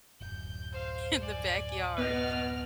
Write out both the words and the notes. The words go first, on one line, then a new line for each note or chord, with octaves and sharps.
in the backyard.
D1 F#2 G6
C5 F5
D5 G#5
B3 B4 D#5 F6